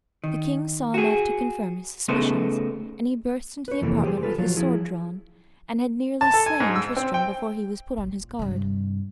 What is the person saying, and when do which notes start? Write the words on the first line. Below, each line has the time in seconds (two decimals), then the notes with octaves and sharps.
The king saw enough to confirm his suspicions, and he burst into the apartment with his sword drawn, and had nearly slain Tristram before he was put on his guard.
0.24 D#3
0.94 F#4 G#4
2.08 C#3 A3 B3 D#4 C5
3.68 B4 C#5
3.81 F2 C3 E3 A3 A#3
4.04 G4 G#4 C5
4.23 F4 A4 B4
4.38 F3 F#3 F4
4.56 F3 E4 G#4
6.21 A5
6.34 A4
6.46 G#5
6.60 G#2
6.76 E6
6.97 C4
7.14 G5
7.98 A#2
8.39 G2 C3